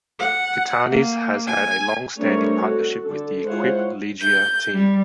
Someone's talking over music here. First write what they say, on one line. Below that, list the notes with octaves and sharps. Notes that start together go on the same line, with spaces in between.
Gitanes has had a long standing partnership with the Equipe Ligier team.
F#5
A#3
G#5
G3 A3 C4 D4 A#4 C#5
F#4 A4
D3 A4
G#3 E4 F4 C5 C#5 F#5
G6
G3